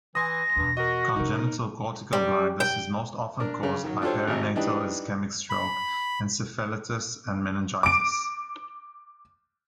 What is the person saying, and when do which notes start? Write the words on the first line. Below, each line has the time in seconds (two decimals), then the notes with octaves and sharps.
Congenital cortical blindness is most often caused by perinatal ischemic stroke, encephalitis, and meningitis.
0.15 E3 G#5 C6 D#6 A#6
0.56 E2 G2 B2
0.77 F#4 A#4 D#5
1.16 C3 C#4 D#4 A#4
2.13 G3
2.60 G5
3.40 D4 A#4
3.63 C#3
3.84 D#3 F#3
4.02 D4 F4 G4 A4 C5 C#5
4.27 G#1 C3 D#5
4.55 E3 D4 D#4 G4 B4
5.50 B5
7.83 D6 D7